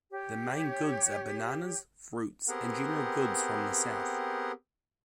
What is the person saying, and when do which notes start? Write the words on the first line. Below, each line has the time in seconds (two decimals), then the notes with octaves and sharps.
The main goods are bananas, fruits and general goods from the south.
0.12 G4 C#5
2.47 B3 C4 G4 G#4 A#4 F#5